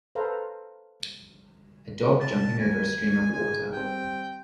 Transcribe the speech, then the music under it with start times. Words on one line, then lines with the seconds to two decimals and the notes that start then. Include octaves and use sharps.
A dog jumping over a stream of water.
0.15 A4 B4 C5 F5 A#5
2.20 C2 A5
2.59 D#2 G#5
3.32 G#2 G#3 G#5
3.73 G3 C4 G5